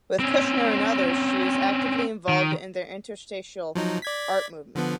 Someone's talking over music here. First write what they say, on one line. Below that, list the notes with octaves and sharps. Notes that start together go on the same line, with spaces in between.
With Kushner and others, she is actively involved in the Interstitial art movement.
C4 C#4
D#3
F3 F#3 D#4
D5 G#6 B6
D3 F3 B3